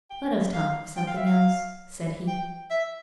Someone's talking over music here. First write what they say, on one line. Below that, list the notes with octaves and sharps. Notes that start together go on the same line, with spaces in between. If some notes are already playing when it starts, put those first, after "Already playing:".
"Let us talk of something else," said he.
G5
F5
G5
F5
E5
F5
G5
E5